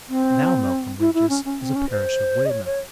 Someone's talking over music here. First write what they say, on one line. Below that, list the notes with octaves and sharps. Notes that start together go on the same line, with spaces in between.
Now Melcombe Regis is a parish of Weymouth.
C4
E4
E4
C#4
C#4
C4
C#4
C5
D#5
C#5
C#5